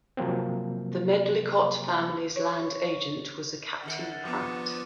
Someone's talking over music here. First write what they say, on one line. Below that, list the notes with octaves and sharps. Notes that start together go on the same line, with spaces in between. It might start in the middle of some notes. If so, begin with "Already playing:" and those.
The Medlycott family's land agent was a Captain Pratt.
C3 F3 F#3 A#3 C4
C#5
D3 D#3 A4 F#5 F6 C#7
F3 B3 D6 D#6